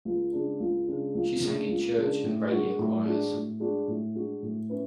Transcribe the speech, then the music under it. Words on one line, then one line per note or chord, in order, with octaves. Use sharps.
She sang in church and radio choirs.
C#2
C#3 G#3 D4
C#2
C#3 G#3 D4
C#2
C#3 G#3 D4
C#2
C#3 G#3 D4
A2
G#3 D4 F#4
A2
G#3 D4 F#4
A2
G#3 D4 F#4
A2
G#3 D4 F#4
A2
C#4 E4 B4